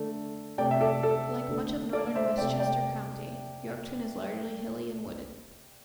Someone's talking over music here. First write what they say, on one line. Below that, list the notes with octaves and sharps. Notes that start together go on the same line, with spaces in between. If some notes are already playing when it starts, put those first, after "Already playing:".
Like much of northern Westchester County, Yorktown is largely hilly and wooded.
Already playing: D3 A3
C3 A3 D5 G5
E5
A4 D5
A4
D3 A3
A4 D5
C5 E5
C3 A3 D5 G5
D5 G5